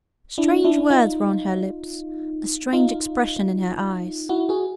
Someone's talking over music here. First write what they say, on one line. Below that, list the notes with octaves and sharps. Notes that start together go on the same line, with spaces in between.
Strange words were on her lips, a strange expression in her eyes.
D4 E4
D4 E4
D#4 F4
D#4 F4
E4 F#4
F#4 G#4